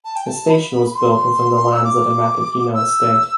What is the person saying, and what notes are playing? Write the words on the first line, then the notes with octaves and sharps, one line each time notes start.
A station was built within the lands of the Machadinho estate.
A5
G5
A5
B5
B5
C6
E6
D6
E6